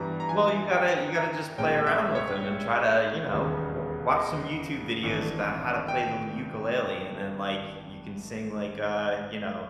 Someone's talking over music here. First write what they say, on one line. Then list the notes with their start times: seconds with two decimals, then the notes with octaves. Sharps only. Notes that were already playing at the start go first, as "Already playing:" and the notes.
Well, you gotta you gotta just play around with 'em and try to, you know, w watch some YouTube videos about how to play the l ukulele, and then, like, you can sing like, uh, you know,
Already playing: G2 E3 G3 B3 A#5
0.20 A#5
0.29 G#5
0.72 G5
1.15 A#5
1.58 A#1 A#2 G#3 C#4 G5
1.87 E5
2.15 C#5
3.31 E1 D#2 C#3 G3 B3
4.16 D#5
5.03 G#1 G2 E3
5.88 G5